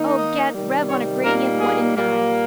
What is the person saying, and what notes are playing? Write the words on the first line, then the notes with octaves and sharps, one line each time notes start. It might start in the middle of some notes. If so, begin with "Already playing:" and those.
O, get, rev on a gradient one in nine.
Already playing: D#3 A#3 D#4
D#5
C3 D#3 G3
C#5
A#2 G3 A#3 D#4 A#4
G#4
A#2 G3 A#3